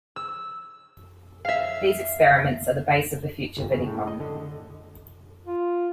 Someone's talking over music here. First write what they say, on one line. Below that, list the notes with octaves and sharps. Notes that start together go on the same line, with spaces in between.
These experiments are the base of the future vidicon.
E6
E5 F5
G1
C#3
A2
D#5
D3
F4